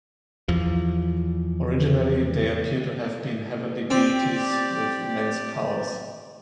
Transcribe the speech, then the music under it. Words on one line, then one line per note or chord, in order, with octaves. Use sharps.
Originally, they appear to have been heavenly deities with immense powers.
E2 F3
C4 G4 D5